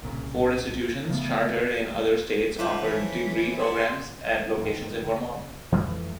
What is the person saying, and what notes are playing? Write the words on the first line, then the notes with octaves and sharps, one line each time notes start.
Four institutions chartered in other states offer degree programs at locations in Vermont.
C2 A#2 C#3
C#3 A3 B3
C#3 A3 C#4 F4 B4 C5 E5 D6
E3 B6
G#4 D5 E5 F#5 C6
D#2 G#2
C#3
F2 E3 G#3 A3